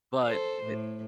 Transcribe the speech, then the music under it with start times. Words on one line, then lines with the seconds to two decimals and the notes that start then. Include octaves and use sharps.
but but
0.25 A4 C5
0.64 A2